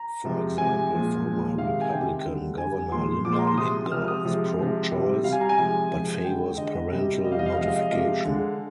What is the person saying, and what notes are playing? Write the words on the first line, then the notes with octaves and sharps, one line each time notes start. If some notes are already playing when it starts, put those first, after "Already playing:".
For example, former Republican Governor Linda Lingle is pro-choice, but favors parental notification.
Already playing: A#5
C3 F3 G#3
C3 F3 G#3 G#5
A#2 F3 G#3
A#2 F3 G#3
C3 D#3 G#3 F5
G#5
C3 D#3 G#3 G5
D3 G3
D3 G3 G#5
A#2 F3 G#3 C6
A#2 F3 G#3 D6
C6
A#5
C6
C3 F3 G#3 D#6
C3 F3 G#3 F6
D#6
C3 F3 G#3
C3 F3 G#3
C3 G3
C3 G3 F5
G#5
A#5
G#5
C3 F3 G#3
C3 F3 G#3
D3 G#3 G5
D3 G#3 D#5
C3 G3
C3 G3 D#5
F5
D#5
F5
D#5
C3 F3 G#3 F5
D#5
F5
D#5
C3 F3 G#3 F5
D3 G#3